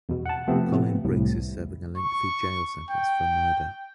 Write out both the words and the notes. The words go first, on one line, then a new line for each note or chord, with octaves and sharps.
Colin Briggs is serving a lengthy jail sentence for murder.
E2 B2
F#5 A5
C3 F3 A3 B3 C4
C2 A2
C#6
G5